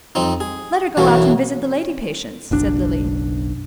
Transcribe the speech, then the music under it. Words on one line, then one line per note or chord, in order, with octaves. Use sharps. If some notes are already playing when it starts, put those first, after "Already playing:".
"Let her go out and visit the lady patients," said Lily.
F2 C4 D#4
G#4
B1 E3 F#3 A3 A#3
F#1 B1 D4